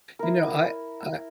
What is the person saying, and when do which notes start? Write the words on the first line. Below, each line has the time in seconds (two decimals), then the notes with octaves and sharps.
You know, I I
0.19 E4 A#4